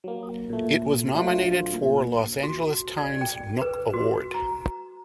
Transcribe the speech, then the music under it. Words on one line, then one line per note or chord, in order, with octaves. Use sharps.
It was nominated for Los Angeles Times Nook Award.
F#3 A#3
A#2 A3
F#3 A3 D4 F4 C5
A#2
F#4
D5
G5
B4
F#4
A#5